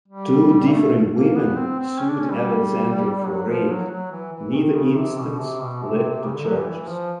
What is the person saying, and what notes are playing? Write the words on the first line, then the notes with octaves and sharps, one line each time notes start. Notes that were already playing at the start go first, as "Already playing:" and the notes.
Two different women sued Alexander for rape, neither instance led to charges.
G3
A#3
A3
A#3
B3
C4
C4
C#4
D4
C#4
G3
F#3
F3
F#3
F#3
E3
E3
D#3
C#3
C3
B2
C3
B2
C3
C3
C3
C#3
D3
F#3
E3
E3
F3